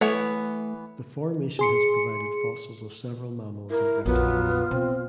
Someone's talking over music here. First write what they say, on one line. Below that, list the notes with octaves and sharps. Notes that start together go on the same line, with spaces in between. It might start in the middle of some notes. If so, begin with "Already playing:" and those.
The formation has provided fossils of several mammals and reptiles.
E3 A3 B3 C#5
G#4 C6 C#7
E4 A#4
A#1 F2 F#3 B3 F4
B2 C4